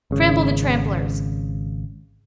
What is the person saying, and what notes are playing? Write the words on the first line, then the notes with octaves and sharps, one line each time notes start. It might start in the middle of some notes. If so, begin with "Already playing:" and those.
Trample the trampellers.
G#1 C#3